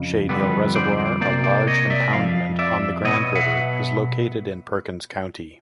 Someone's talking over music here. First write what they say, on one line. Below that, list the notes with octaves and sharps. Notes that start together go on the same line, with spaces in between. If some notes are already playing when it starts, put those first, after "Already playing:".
Shadehill Reservoir, a large impoundment on the Grand River, is located in Perkins County.
Already playing: F2 C#3
F2 D3 G3 B3
C5 D5
C3 F3 A#3 C5 D5
C5 D5
C#5 D#5
D5 E5
F2 C3 F3 F5
D5 E5
B2 F#3 B3 C#5 D#5
E5 F#5